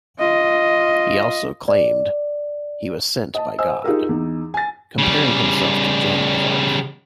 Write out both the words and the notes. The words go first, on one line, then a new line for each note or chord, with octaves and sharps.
He also claimed he was sent by God, comparing himself to Joan of Arc.
F4 D#5
D5
D#5 A5
C5 D#5 G#5 E6
D#4 F4 G4 G#4 A#4
E2 D#4
G#5 A6
C#3 G3